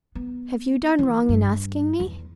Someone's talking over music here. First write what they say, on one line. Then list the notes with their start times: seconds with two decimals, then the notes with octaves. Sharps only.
Have you done wrong in asking me?
0.15 B3
0.99 E3
1.29 G2
2.00 E2